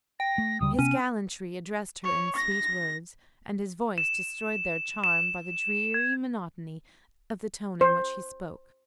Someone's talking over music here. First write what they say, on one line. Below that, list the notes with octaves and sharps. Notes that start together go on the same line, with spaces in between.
His gallantry addressed her in sweet words; and his voice destroyed their charm by the dreary monotony of the tone in which he spoke.
G5 A#6
A3
D2 C#3 G3 D#6
C3 B3 C#4 D#7
C#5
A#6
E7
E7
G#6
C5